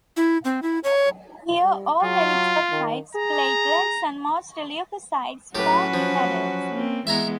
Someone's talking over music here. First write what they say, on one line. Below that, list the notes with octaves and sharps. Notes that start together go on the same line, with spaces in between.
Here all erythrocytes, platelets, and most leukocytes form in adults.
E4
C4
E4
C#5
G3
F#3 F4
D#3
G#4 A#5
A2 F#3 C#4 F#4 G4 B4
F3
A#3 C4
E3 G#3 B3 E5 G#5 A#5